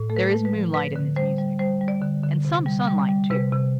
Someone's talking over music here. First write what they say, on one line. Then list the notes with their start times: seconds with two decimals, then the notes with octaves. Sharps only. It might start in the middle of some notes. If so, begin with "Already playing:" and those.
There is moonlight in this music, and some sunlight, too.
Already playing: A2
0.10 A3 A4
0.16 B4
0.31 A3
0.45 B4
0.53 F3
0.74 D3 B4
0.96 D3
1.16 G3 C5
1.38 G3
1.59 G3 C5
1.81 G3
1.88 D5
2.02 D3
2.24 D3
2.45 C3
2.66 G3
2.87 G3
3.09 G3
3.30 C3 B4
3.52 C3